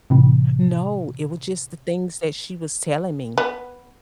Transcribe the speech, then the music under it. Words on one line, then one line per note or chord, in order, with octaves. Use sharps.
No. It was just the things that she was telling me.
A2 C3 E3
B3